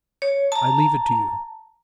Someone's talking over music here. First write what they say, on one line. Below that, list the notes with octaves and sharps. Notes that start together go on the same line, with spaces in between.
I leave it to you.
C#5
A5 A#5